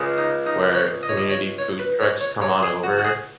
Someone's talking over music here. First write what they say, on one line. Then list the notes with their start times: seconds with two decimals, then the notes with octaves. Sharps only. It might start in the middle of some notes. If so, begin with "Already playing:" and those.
where community food trucks come on over,
Already playing: C#2 C#3 G#3
0.18 D#4
0.47 D#4
0.74 C#5
1.03 D#5
1.09 C#5
1.17 D#5
1.30 C#5
1.58 C#5
1.79 B4
2.00 C#5
2.21 C#5
2.42 C#5
2.63 G#4
2.83 F#4
2.98 F#4
3.04 G#4